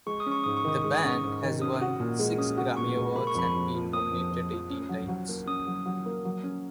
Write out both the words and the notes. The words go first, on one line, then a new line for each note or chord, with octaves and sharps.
The band has won six Grammy Awards and been nominated eighteen times.
G#3 C#6
D#6
C#4
C#6
G#2 D#6
C#6
D#3 D#6
G#3 C#6
D#6
C#4 C#6
G#2
D#3
C#4 D#6
F#4
A#2
G#3
C#4 D#6
F#4
A#2 C#6
G#3
A#3 B5
C#6
F2 B5
F2
F3
A#3 D#6
F2
F2
F3
C#4
F#3
F#3
A#3
C#4 D#6
F#3
F#3
A#3
F#3
C#4